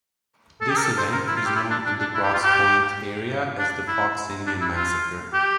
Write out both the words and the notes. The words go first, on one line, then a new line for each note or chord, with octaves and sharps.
This event is known in the Grosse Pointe area as the Fox Indian Massacre.
A4
G4
A#4
A4
C5
A#4
E4
F4
G4
E4
D4
D4
D4
E4
G4
F4
G4
D4
E4
D4
E4
F4
G4